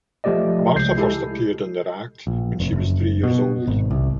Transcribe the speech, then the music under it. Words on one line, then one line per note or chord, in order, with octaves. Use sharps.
Martha first appeared in their act when she was three years old.
F3 A3 G4 D5 D#5
C#2 G6 C7
G#3 E4 G4 A4
A#1
F1
F#1
B2
G#1
C2